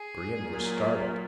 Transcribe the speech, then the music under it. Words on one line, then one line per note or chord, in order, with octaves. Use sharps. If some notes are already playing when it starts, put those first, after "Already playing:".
Brion was startled.
Already playing: G#4
A#2 F#3 A#3